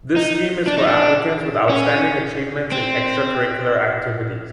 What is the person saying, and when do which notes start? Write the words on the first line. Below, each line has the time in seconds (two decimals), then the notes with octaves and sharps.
This scheme is for applicants with outstanding achievements in extracurricular activities.
0.16 D#4
0.67 D4
0.78 D#4
0.87 D4
1.69 C#4
2.72 C4